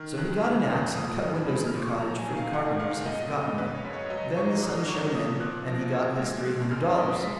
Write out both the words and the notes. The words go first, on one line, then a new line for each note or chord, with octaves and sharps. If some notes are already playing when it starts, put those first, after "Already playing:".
So he got an axe and cut windows in the cottage, for the carpenters had forgotten them; then the sun shone in, and he got his three hundred dollars.
Already playing: D#3 F6
F2 F#6
F2 F6
F2
F3 D#6
F3
G#3 B5
F6
A#2
C#6
F#3 A#5
G#5
D#3
F5
D#3 F#5
D#3 F5
F#2 D#5
C#3
G#3 B4
C#5
F#2
C#5
F#3 D#5
G#2 C#6
G#2 D#6
F#3 C#6
F3 D#6
A#2 F#6
F3 A#6
A#2 G#6
G#3 G#6
G#3 F#6
F#2 F6
F#2 D#6
G#3 B6